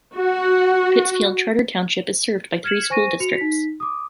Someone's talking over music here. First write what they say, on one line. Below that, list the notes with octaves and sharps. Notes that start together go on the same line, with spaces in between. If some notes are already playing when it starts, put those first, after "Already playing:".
Pittsfield Charter Township is served by three school districts.
F#4
F6 G#6 C#7 E7 F#7
C5 G#5 C#6 A#6 D#7
F#4 C#7 F7
D#4 B6
D6 D#6